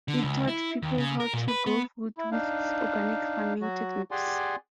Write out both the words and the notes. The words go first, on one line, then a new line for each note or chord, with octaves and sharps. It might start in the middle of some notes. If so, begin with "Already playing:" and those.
It taught people how to grow food with organic farming techniques.
D3
C#2
E4
D#2
C#3
A#4
A#2
B4
B3
E4
D4 D#4 F5
F#3 F#4
G4 G#4 D5 F#5 G#5 C6